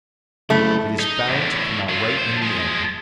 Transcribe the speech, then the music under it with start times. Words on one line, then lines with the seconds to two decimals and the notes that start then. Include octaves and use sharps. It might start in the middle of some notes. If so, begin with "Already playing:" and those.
"It is bound to come out right in the end."
0.50 F#2 A3 E4
0.99 D#4
1.28 E2 A2
1.89 F#3 F4
2.17 D3 C5
2.42 F3 G#3